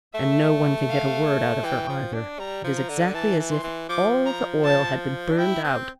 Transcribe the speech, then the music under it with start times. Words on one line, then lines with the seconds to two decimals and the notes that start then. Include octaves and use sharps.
"And no one can get a word out of her, either; it is exactly as if all the oil had been burned out."
0.14 A3 E5
0.89 F5
1.64 E3 G5
1.89 F3
2.14 D4
2.39 G3 A#5
2.64 F3
2.77 A#5
2.89 D3
3.14 E3 A5
3.39 E3
3.51 C6
3.63 E3
3.89 F3 D6
4.26 A#5
4.64 A5
5.31 D4
5.38 E4 G5
5.64 C4